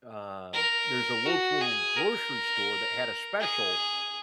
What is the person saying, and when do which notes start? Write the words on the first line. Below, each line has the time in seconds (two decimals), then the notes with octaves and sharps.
um, there's a local grocery store that had a special
0.54 A#4
1.25 F#4
1.61 G#4
1.97 A#4
3.40 G#4